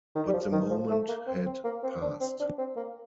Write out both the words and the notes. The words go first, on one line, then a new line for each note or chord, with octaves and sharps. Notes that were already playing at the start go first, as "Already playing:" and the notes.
But the moment had passed.
D#3
G3
F3
D#3
F3
A3
A#3
C4
C4
A#3
C4
D4
C4
D4
C4
A#3